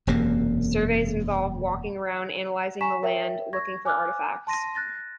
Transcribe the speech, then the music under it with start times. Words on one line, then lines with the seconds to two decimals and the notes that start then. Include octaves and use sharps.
Surveys involve walking around analyzing the land looking for artifacts.
0.07 E1 F#2 C3 A#3
2.81 G#5 A#5 C#6 B6 E7
3.03 A#4 C#5 E5 G5
3.53 C#6 G#6 A#6
3.85 G#5 D6 F6 F#6
4.47 A5 C6 A#6 D#7
4.75 F#6 A6 A#6